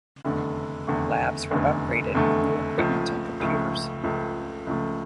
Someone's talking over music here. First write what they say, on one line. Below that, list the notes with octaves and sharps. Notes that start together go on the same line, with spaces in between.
Labs were upgraded with new equipment and computers.
F1 E2 D3 A3
F1 E2 D3 A3
F1 E2 D3 A3
F1 E2 D3 A3
C#2 C#3 F3 A3
C#2 C#3 F3 A3
C#2 C#3 F3 A3
C#2 C#3 F3 A3